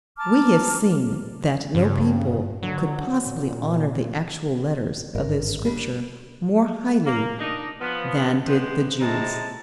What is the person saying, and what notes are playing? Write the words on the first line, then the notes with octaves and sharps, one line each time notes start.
We have seen that no people could possibly honour the actual letters of the Scripture more highly than did the Jews.
A5 A#5 D6 F6
G2 C#3
D3 F#3
A#2
G#1 G2 A#4
G3 D4
A#3
D4 D#4 D#5
F3 B3
C3 F3 G#3 B3 C5
A2 C3 G#3 C4 A5 A#5